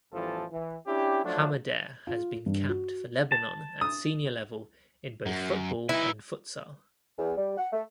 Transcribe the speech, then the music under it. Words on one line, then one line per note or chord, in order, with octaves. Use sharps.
Hamadeh has been capped for Lebanon at senior level in both football and futsal.
A1 E2 E3 F3 G3 A4
E3
C#4 D4 E4 G4
F3 F#3 A3 D4
F4
G2
F#4
A5
D#6
F#2
D#4 E4 B4
E2
G3
F#5
A3